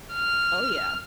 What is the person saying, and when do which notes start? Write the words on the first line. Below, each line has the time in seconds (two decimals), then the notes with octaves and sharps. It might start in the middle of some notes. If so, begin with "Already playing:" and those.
Oh yeah.
0.13 F6